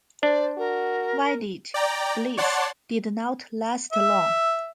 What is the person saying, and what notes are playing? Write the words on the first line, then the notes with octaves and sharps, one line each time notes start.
Wedded bliss did not last long.
D4 C5 D5
F#4 A#4
D5 G5 A#5
C#5 D5 F#5 A5 C6
E5